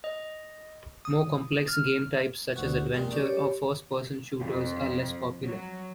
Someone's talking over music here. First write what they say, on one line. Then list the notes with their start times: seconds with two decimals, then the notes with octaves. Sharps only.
More complex game types, such as adventure or first person shooters, are less popular.
0.04 D#5
1.05 D#6
1.68 F6
2.56 D2 F#4
2.77 G4
2.94 A#2 G#3 G5
3.11 C#4 G4 D5
3.25 G4 C#5
4.39 F2
5.43 F#3